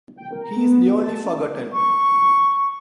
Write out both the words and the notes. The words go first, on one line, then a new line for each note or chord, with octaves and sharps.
He is nearly forgotten.
G5
A#4
A#5
B3
A5
C#4
C#6